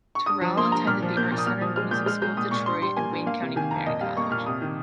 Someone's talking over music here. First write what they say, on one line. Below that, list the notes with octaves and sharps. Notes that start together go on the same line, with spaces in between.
Terrell attended the Art Center Music School of Detroit and Wayne County Community College.
C#6
G2 D#6
F3
A#3 C6
G2 A#5
A#2 F6
F3
A#3 G6
A#2
D#6
A#2 F6
F3 D#6
G#3 F6
A#2 G6
G#3 F6
G#3 G6
A#2 D#6
A#2 C#6
G2 C6
G3 C6
A#3 G#5
G2
A#3 F5
C3
D#3 G#5
F2 A#5
A#2 D#5
G3 F5
A#3 C#6
A#2 F6
C3 D#6
D#3